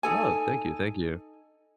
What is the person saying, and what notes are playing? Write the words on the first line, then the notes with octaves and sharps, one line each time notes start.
Oh, thank you, thank you.
D#4 A4 G#5